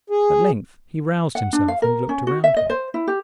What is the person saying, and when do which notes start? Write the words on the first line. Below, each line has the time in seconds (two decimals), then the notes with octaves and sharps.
At length he roused himself and looked around him.
0.10 G#4
1.35 F#5
1.53 D4
1.68 F5
1.82 A#4
2.09 C#4
2.27 F#4
2.44 E5
2.57 D#5
2.70 C5
2.94 E4
3.08 G4